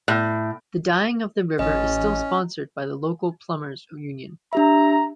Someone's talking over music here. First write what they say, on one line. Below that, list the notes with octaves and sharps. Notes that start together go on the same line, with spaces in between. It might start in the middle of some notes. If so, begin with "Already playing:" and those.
The dyeing of the river is still sponsored by the local plumbers union.
A2
A1 C#4 D#5
D4 G4 E5 A#5